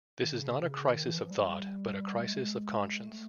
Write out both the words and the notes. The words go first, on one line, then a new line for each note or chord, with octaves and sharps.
This is not a crisis of thought, but a crisis of conscience.
D#3
C#3
C3
C#3
C#3
D3
D#3
E3
F3
G3
A3
G#3
A3